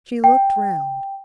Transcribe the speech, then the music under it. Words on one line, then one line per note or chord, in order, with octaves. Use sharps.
She looked round.
G5